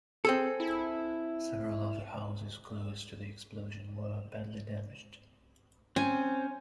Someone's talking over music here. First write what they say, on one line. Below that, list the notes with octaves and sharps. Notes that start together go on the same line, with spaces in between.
Several other houses close to the explosion were badly damaged.
C4 G#4 A4
E4
C4 C#4 G#5